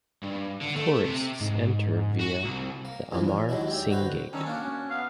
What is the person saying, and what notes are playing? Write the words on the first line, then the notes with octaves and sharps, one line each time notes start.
Tourists enter via the Amar Singh Gate.
G2
D3
A3
C3
G#2
F#4
C2
A#3
E2 G2 A#2 E3 F3
C#4
D#2 F#3 G#3 D4 E4
G4 E5
D3 F#4 B4 C5 A#5
D#3 G3 C4 C#4 G#5 A5 E6
A#3 D4 F#4
C#4
B3 F5